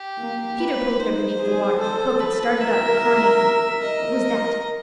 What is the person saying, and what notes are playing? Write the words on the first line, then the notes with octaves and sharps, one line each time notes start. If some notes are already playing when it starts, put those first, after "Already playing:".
Peter pulled her beneath the water, for Hook had started up, crying, "What was that?"
Already playing: G4
A#3
A#3 B4
D#4 C5
G#4
A4 C5
B4
A#4 E5
A#4 D#5
A#4